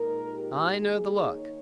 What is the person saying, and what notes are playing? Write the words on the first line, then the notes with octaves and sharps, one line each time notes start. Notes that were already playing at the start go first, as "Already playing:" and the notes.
"I know the look."
Already playing: A#2 G#3 D#4 A#4
G4
D#3 A#3 D#4 G#4
C#5